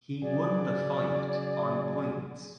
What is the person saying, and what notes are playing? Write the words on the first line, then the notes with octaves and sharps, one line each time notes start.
He won the fight on points.
C#3 F#3 G#4 D5